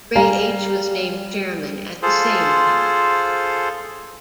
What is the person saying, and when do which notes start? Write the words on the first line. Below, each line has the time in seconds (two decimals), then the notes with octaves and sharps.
Ray H. was named chairman at the same time.
0.16 G3 F5 G#5 A#5
2.03 F4 G#4 A4 C5